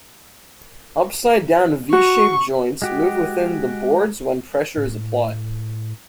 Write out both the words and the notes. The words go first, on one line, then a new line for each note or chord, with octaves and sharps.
Upside-down V-shaped joints move within the boards when pressure is applied.
F#4 C#6
G#3 F#4 G4
A2